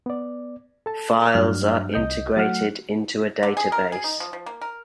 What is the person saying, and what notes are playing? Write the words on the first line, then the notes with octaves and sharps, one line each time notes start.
Files are integrated into a database.
B3 D5
A4 A5
G2 F#3 D4 F6
C2 D#5 G6
F#3 A3 F#5 F6 F#6
D3
G#4
A#4
G#4
D#4
F3
F3
A#3
A#4